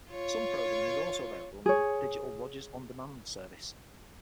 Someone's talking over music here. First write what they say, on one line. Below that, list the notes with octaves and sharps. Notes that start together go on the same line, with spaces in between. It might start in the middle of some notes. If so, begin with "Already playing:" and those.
Some programming is also available on the digital "Rogers On Demand" service.
F4 C#5
G#4 C#5